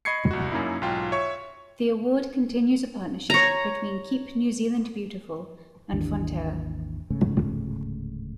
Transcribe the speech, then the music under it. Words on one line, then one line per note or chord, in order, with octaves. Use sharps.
The Award continues a partnership between Keep New Zealand Beautiful and Fonterra.
D#5 B5 C#6 G#6 C7 C#7
C2 F#4
F#2 A#3 C#4 D#4 E4
B1 G#2 F4 G5
C#5 E5 C#6
C#5 A#5
G#1 D#2 E3 D4
D1 G#2 C#3 A3